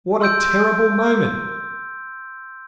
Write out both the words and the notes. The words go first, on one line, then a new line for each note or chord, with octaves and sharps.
What a terrible moment!
C6 E6 G6 D7